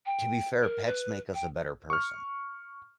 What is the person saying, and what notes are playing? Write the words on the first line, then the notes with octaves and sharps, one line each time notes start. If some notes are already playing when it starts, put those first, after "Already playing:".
To be fair, pets make us a better person.
G5
A#4
B4
G5
C#6 F6